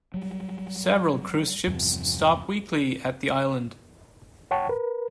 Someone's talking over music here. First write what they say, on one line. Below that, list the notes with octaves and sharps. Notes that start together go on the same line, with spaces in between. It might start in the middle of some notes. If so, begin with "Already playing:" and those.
Several cruise ships stop weekly at the island.
F#3 G3
E2 G2 C3 F3
C#5 F#5 G5 A5 C#6
A#4 B4